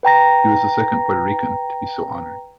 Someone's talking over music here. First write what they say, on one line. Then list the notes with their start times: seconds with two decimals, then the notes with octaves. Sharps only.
He was the second Puerto Rican to be so honored.
0.03 B4 G5 A#5 A#6